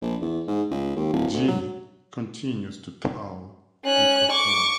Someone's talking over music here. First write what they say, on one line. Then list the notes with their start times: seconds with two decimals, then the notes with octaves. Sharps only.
Jeannie continues to tour and perform.
0.02 A#1
0.22 E2
0.48 G#2
0.71 C#2
0.96 D#2
1.13 D1
1.33 D2
1.48 F#3
3.85 C#4 F#6
4.31 C#6 D6